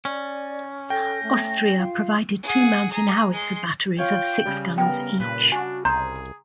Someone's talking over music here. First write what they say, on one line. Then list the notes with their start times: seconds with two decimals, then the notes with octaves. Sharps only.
Austria provided two mountain howitzer batteries of six guns each.
0.05 C#4 D5
0.90 A4 G5 A#6
1.23 A3
1.79 F4 F5
2.43 G#4 F#5
2.91 G#4 A#5
3.32 G#3 C6
3.98 F4 C#5 G5
4.45 C#3 G3
4.78 B3 A#4 G5
5.20 A#2 B4
5.52 D4 F#4 G#5
5.85 C2 G#4 A#5 C6 G6